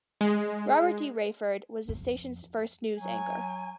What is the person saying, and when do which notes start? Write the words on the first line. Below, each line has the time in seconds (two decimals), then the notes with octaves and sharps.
Robert D. Raiford was the station's first news anchor.
0.21 G#3
1.89 F2
2.99 F#3 G#5